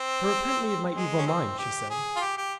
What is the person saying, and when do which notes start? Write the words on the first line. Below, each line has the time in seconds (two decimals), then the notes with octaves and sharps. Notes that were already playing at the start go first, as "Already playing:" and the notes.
'To repent me of my evil mind,' she said.
Already playing: C4
0.96 G#3
1.18 C#4
1.27 C4
1.58 G4
1.90 G#4
2.16 F4
2.21 G4
2.37 G4